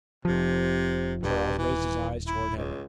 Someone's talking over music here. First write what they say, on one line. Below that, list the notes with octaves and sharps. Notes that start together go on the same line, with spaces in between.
Charles raised his eyes towards heaven.
F1 C3 F3
D#1 G2
E3
E4
C#2